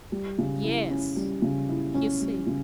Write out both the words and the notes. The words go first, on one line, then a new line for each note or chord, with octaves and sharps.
"Yes," he said.
G3
C#3
E4
C#4
G3
C#3
E4
C#4
G3
C#3